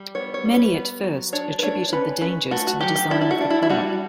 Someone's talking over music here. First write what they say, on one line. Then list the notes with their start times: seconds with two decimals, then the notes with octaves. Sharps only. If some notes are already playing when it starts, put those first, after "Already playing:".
Many at first attributed the dangers to the design of the park.
Already playing: G3
0.15 B3 C#5
0.34 C#5
0.45 G3
0.54 B4
0.74 B3
1.04 F#3
1.33 D4 C#5
1.59 B4
1.63 D4 C#5
1.93 C#4 B4
2.21 C#4 B4
2.51 A3 F#4
2.67 F#4
2.81 F#3 G4
2.96 G4
3.10 D4 E4
3.21 E4
3.31 F#4
3.41 D4
3.50 E4
3.63 E4
3.69 G3 F#4